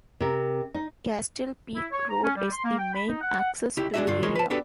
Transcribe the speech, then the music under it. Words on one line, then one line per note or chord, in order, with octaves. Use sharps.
Castle Peak Road is the main access to the area.
C3 A#4
D#4
E4
C#5
A#5
C#4
G3
C6
A#3
G5
B5
D#4
F#5
F#5
C#2 E4 G4
G#3 D4 D#4 F#4 D#5 E5
G2 D3 F4
C#2 E3 G#3 A#4 C#5 C6
B4 A5
B3 D4 F#4 G4 A4 B4